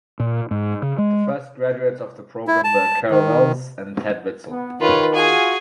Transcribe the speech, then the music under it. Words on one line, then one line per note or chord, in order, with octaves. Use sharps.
The first graduates of the program were Ker Wells and Ted Witzel.
A#2
G#2
C#3
G#3
E4
A5
D#3
B3
D#3 E3 F4 G4 B4 C#5
F4 F#4 G#4 G#5